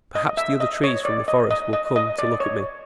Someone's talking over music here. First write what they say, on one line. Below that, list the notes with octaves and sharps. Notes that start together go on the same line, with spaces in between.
Perhaps the other trees from the forest will come to look at me!
D#5
E5
D#5
C#5
D5
D#5
D#5
D#5
D#5
D5
C#5